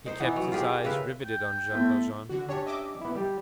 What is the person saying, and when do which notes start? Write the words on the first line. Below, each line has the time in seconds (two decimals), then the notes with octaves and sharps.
He kept his eyes riveted on Jean Valjean.
0.06 D#4 C5
0.20 E3 B3 D#4 E4
0.36 F#3
0.52 F4 G4 G#4 A#4
0.84 C#3 A#4 B4 E5
1.25 G5
1.71 A3 B3 E4
2.29 D3 F#4
2.49 C#4 D4 G4 C#5
2.66 D#5 E5 D6
3.01 B3 E4
3.15 G3 G4